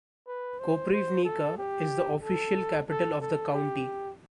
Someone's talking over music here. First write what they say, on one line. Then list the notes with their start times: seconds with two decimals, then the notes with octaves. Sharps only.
Koprivnica is the official capital of the county.
0.27 B4
0.60 C5
0.92 C5
1.25 A4
1.58 G4
2.23 A4
2.89 A4
3.21 A4
3.54 G4